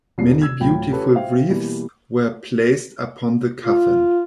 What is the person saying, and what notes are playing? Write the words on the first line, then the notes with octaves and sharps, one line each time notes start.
Many beautiful wreaths were placed upon the coffin.
E1 B2 G3 F4 C7
E6 G#6
D1 F#3 A3 F4 G5 B5
C#4 F4 G4 A4 B4
C5 E5 F5 G5
B2 E3 G3 A#3
F4